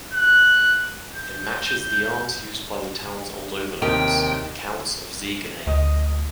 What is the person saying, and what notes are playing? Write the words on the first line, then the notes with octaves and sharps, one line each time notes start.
It matches the arms used by the town's old overlords, the Counts of Ziegenhain.
F#6
G6
D#2 C3 D#4 G4 A#4 G5
D2 D#5